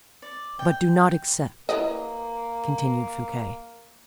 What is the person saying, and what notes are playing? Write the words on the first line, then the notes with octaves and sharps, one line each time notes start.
"But do not accept," continued Fouquet.
D5
G5
A#3 E4 B4 D#5